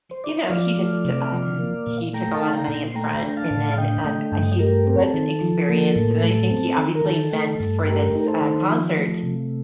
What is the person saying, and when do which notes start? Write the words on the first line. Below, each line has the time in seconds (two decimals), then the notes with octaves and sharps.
you know, he just, um, he took a lotta money up front, and, then, um, uh, he wasn't experienced. And I think he obviously meant for this, uh, concert
0.11 C5
0.24 D5
0.37 D#5
0.50 F3 D5 F5
0.77 A3
1.05 C3
1.32 F3
1.59 A#3
1.87 A#2
2.13 A3 G5 A#5
2.34 F5 A5
2.41 D#4
2.55 G5 A#5
2.68 A#2
2.88 C6
2.95 A3 G5 A#5
3.23 D4
3.37 F5 A5
3.51 A2
3.72 F5
3.77 D3 D#5 G5
4.05 A3
4.32 G2
4.59 A3 G4 A#4
4.87 C4 A#4
5.00 A4
5.14 D#3
5.41 F3
5.69 A#3
5.96 A2
6.24 A3
6.51 C4
6.78 D#3
6.95 A#4
7.05 D#3 A4
7.33 A3
7.60 G2
7.87 A3 G4 A#4
8.15 D#4
8.21 A#4
8.27 A4 C5
8.41 D#3
8.69 F3
8.96 A3
9.23 C3